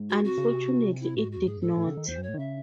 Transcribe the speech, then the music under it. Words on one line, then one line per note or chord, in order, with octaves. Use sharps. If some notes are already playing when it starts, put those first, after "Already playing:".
Unfortunately it did not.
Already playing: G#2
F#4
C3 F#4
C#3
C3
E4
A2 F#4
G#2
E2 F#4
G#2 G#4
F#2
G#2 A4
A2
A2
C#3
D#3
E2 C5
F#2 C#5
A2
D#3
C#3 E5